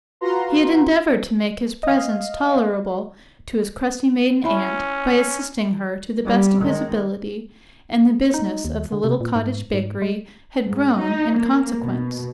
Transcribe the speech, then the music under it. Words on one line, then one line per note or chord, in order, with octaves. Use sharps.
He had endeavoured to make his presence tolerable to his crusty maiden aunt by assisting her to the best of his ability, and the business of the little cottage bakery had grown in consequence.
F4 F#4 B4 A#5 C6
D#5 F5
C#4 E4 E5 B5
G3
D#3 G#3
D#4
D#2
D3
C3
A#2
G#2
G#2
G#3
G#2
D#4
A#3
B2